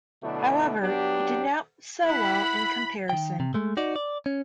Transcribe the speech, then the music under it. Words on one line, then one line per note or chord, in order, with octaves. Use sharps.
However, it did not sell well in comparison.
B2 D3 F#3 A3 D4 E4
F#3 B3 D4 G4
E4 F#5 B5
D#3 G5
C3
G#3 A3
D#4 F#4 D5
D5
C#4